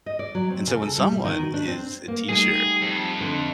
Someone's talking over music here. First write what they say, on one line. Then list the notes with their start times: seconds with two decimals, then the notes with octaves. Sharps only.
and so, when someone is a teacher,
0.06 D#5
0.19 D5
0.35 F#3
0.50 C4
0.67 C#3
0.82 A4
0.98 G3
1.12 B2
1.25 D#3
1.42 F#4
1.54 D4
1.67 C4
2.08 A#3
2.29 G3 A3 D#4 G#4
2.82 F2
3.21 D3 E4